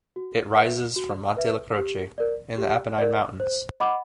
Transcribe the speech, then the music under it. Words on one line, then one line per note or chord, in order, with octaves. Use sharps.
It rises from Monte la Croce in the Apennine Mountains.
F#4
B4 E5
F#4
B4 E5
G4
A#4 D5
G4
A#4 D5
C5
D#5 F#5 B5 D6